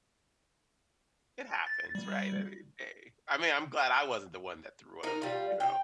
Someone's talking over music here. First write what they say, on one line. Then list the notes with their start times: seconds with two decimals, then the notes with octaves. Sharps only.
It happens, right? I mean, a I mean, I'm glad I wasn't the one that threw up, you know?
1.67 A6
1.95 G3
5.03 D#4 A#4
5.22 G3 F4
5.60 G5